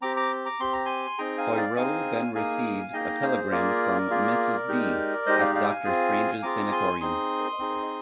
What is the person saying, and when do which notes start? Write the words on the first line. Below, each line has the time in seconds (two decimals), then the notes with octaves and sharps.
Poirot then receives a telegram from "Mrs D" at Doctor Strange's sanatorium.
0.02 C4 G4 A#5 D6
0.17 A#5 D6
0.45 A#5 D6
0.60 C4 G4 C6
0.73 A#5
0.85 G#5 C6
1.18 C4 D#4 G#4 G5 A#5
1.38 F5 G#5
1.57 D5 F5
1.76 C4 D#4 G#4 F5 G#5
2.35 A#3 D#4 G#4 F5 G#5
2.93 A#3 D#4 G#4 D#5 G5
3.22 G#4 C5
3.51 A#3 F4 G#4 A#4 D5
4.10 A#3 F4 G#4
4.68 G#3 D#4 G4
5.26 G#3 D#4 G4 C5 D#5
5.41 D5 F5
5.55 D5 F5
5.69 F5 G#5
5.84 C4 F4 G#4
6.43 C4 F4 G#4 A#5 D6
6.71 G#5 C6
7.01 C4 D#4 G#4 C6 D#6
7.59 C4 D#4 G#4